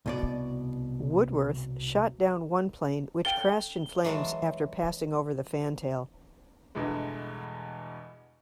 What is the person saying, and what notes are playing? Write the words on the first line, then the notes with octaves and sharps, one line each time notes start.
"Woodworth" shot down one plane which crashed in flames after passing over the fantail.
C2 B2 D5
A4 F5 G5 G7
E3 F#3 G#3 F5 A5
E2 G2 B2 D3 E3 G#3